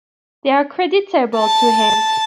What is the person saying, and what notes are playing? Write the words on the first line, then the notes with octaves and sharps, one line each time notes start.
They are creditable to him.
A5